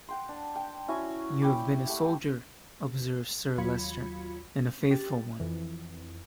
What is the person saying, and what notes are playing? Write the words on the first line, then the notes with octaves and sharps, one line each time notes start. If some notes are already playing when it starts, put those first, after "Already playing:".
"You have been a soldier," observes Sir Leicester, "and a faithful one."
F#5 G5 C6
D4
G5
C#4 E4 F#4 G#5
C#5 G5 B5 D6
A3 G4 F#5 G5
D#2 F#3 F4 B5 G#6 C#7
G4 A6
F2 E3